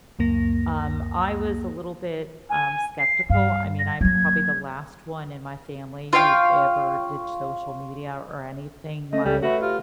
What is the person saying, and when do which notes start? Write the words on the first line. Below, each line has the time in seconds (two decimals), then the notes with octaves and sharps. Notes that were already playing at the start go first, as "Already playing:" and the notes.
Um, I was a little bit, um, skeptical, I mean I'm probably the last one in my family who ever did social media or anything, my
0.19 C#2 F#2 A#3 A#6
2.49 G#5
2.99 C7
3.30 G2 F5
3.79 A#6
4.01 F#3 A#3 G#6
6.13 F4 C#5 F5 G5
9.13 A3 C#4 D#5
9.25 C#2 G3 A4
9.43 A3 F#4 B4 C#5 E5
9.62 F4 G4